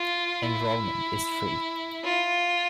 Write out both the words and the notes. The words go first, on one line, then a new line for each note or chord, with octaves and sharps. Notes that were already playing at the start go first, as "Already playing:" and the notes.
Enrollment is free.
Already playing: F4
E4
F4